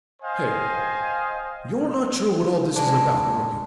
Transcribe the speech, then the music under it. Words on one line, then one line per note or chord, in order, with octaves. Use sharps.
Hey, you're not sure what all this is about, are you?
C5 D#5 F5 G5 G#5
G#3 D4